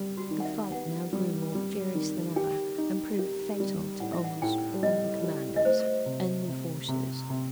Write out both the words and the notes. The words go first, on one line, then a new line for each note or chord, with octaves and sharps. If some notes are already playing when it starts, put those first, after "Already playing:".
The fight now grew more furious than ever, and proved fatal to almost all the commanders and their forces....
Already playing: G3
F#4
D#3
F#5
E5
B3 F#5
G3
G3
D#3
G4 G5
D#4
G4
G3
A2 F#5
E5
F#5
A2 G5
G3 D#5
G4
D#5
A3 C5
C3
C3
C3
C3